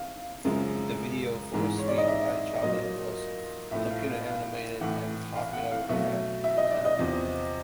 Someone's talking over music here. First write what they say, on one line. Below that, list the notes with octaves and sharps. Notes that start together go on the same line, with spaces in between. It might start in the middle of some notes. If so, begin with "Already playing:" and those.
The video for "Sweet Like Chocolate" was computer-animated and popular at the time.
Already playing: F5
F#2 C#3 F3 G#3
G#2 E3 G#3
C#5
D5
D#5
E5
A#2 F#3 A#3 D#5
A2 F3 A3 E5
F5
F5
F5
A2 E3 A3 F#5
F5
F#5
F5
B2 F#3 A3 E5
E5
D#5
D5
D#5
E2 C3 F3